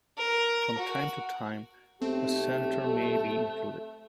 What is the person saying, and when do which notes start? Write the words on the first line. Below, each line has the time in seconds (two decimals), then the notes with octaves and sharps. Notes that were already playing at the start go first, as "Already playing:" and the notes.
From time to time, a senator may be included.
0.18 A#4
0.78 F#4
2.02 B1 A3 C4 G4